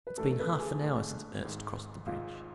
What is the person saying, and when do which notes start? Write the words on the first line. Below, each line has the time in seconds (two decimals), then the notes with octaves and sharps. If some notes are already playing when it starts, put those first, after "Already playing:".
"It's been half an hour since Ernst crossed the bridge."
0.07 B4
0.18 A2 E3 A3 D4 A4
0.31 A4
0.40 B4
0.60 G#4
0.82 A2 E3 A3 D4
1.44 G#1 G#2 G#3
2.06 G#1 G#2 G#3 F4